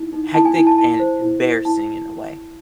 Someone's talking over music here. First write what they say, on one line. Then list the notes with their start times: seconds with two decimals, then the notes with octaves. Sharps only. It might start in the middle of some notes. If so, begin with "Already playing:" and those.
hectic and embarrassing in a way.
Already playing: D#4 E4
0.13 D#4
0.34 E4 A5
0.45 G#5
0.56 E4 G#5
0.67 A5
0.78 E4 A5
1.00 C5
1.22 E4
1.44 E4
1.65 E4 A5